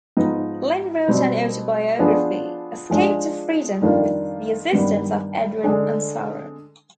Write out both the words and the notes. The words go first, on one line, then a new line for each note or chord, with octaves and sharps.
Lynn wrote an autobiography, "Escape to Freedom", with the assistance of Edward Ansara.
G#2 F3 B3 D#4
B2 G3 C4
F3 B3 D4 G#4
F3 G#3 D4 G#4
F2 D#3 G3 D4 F4
G2 D#3 G3 B3
D3 G#3 D4 G#4